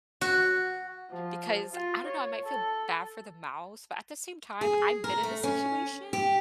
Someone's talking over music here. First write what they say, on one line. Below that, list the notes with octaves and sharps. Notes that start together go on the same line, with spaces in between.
Because I don't know, I might feel bad for the mouse, but at the same time, I've been in a situation
F#4
F3
F4
C#5
A4
G#4
A#4
A3
C#4
G4